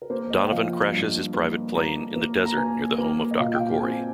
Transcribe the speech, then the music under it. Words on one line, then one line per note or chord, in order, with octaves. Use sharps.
Donovan crashes his private plane in the desert near the home of Doctor Cory.
A#4
A#3 C5
D#5
G5
F3 F5
G2
A#3
A#3 A#5
A#3
A#5
A#3 G#5
A#3
D#5
A#2 F5
G5
F5
C4 G#5